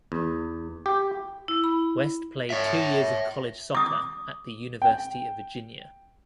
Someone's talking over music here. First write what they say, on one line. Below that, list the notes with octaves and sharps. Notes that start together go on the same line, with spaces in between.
West played two years of college soccer at the University of Virginia.
E2
G4
E4
B5
C#5 E5
D6 D#6
G5